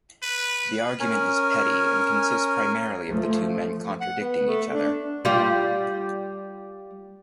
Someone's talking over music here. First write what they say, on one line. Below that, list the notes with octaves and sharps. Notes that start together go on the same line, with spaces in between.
The argument is petty, and consists primarily of the two men contradicting each other.
B4
C#4 A#4 G#5
F3 A3
F#5
B3
A3
D4
G3 F4 G4